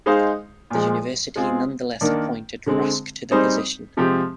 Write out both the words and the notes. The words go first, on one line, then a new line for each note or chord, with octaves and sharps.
The university nonetheless appointed Rusk to the position.
G#3 D#4 G#4 C5 F5
A#2 F3 G#3
G#3 C4 F4 G#4
D#3 A#3 D4
D3 G#3 C4
G3 C4 D#4 G#4 C5
C3 F3 G#3 C4 G4